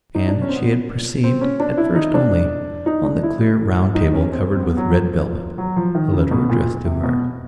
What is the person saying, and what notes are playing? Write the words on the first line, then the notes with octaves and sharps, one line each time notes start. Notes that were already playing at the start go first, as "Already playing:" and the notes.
And she had perceived at first only, on the clear, round table covered with red velvet, a letter addressed to her.
D#4
D4
C#4
C4
B3
C4
C#4
D4
E4
D#4
D4
D#4
D4
E4
E4
D#4
C#4
C4
C4
B3
F#3
F3
F#3
F3
D#3
C#3
B2
A#2
C3
B2